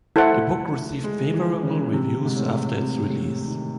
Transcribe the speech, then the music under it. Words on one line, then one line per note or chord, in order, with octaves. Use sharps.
The book received favorable reviews after its release.
A3 E4 A4 C5 F#5
G#3
E3
C#3
C3
G#2
A2
C3
A2
A2
D#3